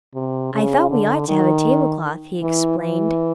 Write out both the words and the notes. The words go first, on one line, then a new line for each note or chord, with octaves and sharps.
"I thought we ought to have a tablecloth," he explained.
C3
C#3
D3
D#3
E3
E3